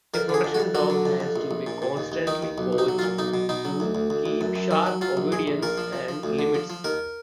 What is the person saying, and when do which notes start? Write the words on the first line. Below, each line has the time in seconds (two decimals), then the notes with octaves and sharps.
A protection dog has to be constantly coached to keep sharp obedience and limits.
0.14 F2 A#4
0.29 D3 G#4
0.44 F2
0.54 F#4
0.60 F2
0.75 F#3 F#4
0.90 D3
1.06 F2
1.20 F2
1.36 A#1
1.51 A#1
1.67 A#2
1.82 A#2
1.97 D#2
2.12 D#2
2.27 D#3 D#4
2.43 D#2
2.58 B1
2.73 B1
2.78 D#4
2.88 F#3
2.99 F4
3.03 A#2
3.19 B1 D#4
3.34 B2
3.49 B2 D#4
3.65 F#3
3.80 D2
3.95 D2
4.10 D2
4.26 D2
4.41 F#2
4.56 F#2
4.71 D#3
4.87 F#3
5.01 F#3 F4
5.17 A#1
5.32 A#1 G#4
5.47 A#1
5.63 A#2 A#4
5.78 F3
5.93 F3
6.09 F3
6.23 D2
6.39 D3
6.55 F3
6.70 F3
6.84 D#2 A#4